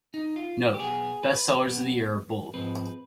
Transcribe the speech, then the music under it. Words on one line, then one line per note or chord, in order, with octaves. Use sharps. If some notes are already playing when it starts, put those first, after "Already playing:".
Note: best sellers of the year are bold.
D#4
F4
G4
B1 B2 B3 G#4
B4
B1 B2 B3
G#2 F3 G#3 C4 B4